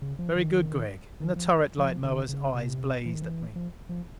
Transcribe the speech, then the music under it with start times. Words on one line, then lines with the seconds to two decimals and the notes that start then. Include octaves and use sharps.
"Very good, Gregg." In the turret light Moa's eyes blazed at me.
0.02 C#3
0.19 F3
0.36 D#3
1.20 D#3
1.36 F3
1.78 F3
2.04 D3
2.29 C#3
2.54 C3
3.06 E3
3.13 D#3
3.22 E3
3.56 F3
3.89 F3